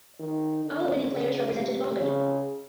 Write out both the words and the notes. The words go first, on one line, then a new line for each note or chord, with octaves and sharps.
All winning players represented Augur.
D#3
D3
C#3
C3
C#3